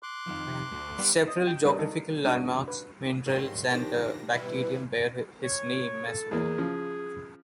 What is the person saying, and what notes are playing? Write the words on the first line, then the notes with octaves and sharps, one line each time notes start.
Several geographical landmarks, minerals and a bacterium bear his name as well.
C6 D6 F#6
F2 D#3 F3
C3
D2 A3
G3 B3 D4 F5
D#5
G5
G3 D#4 A#4 B4 D5
D#4 A4
G#3 D4 D#4 F#4
B4
F2 G#2 F#3 A3 G4 A#4 C6
D#3 F3 D4 G4 A#6
B2 E3 G3 E4 B4 E5
C#5
A4
E2 A#3 G#4
C#3 F3